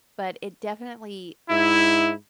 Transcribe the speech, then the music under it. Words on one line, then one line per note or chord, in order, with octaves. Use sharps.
but it definitely,
G#2 E4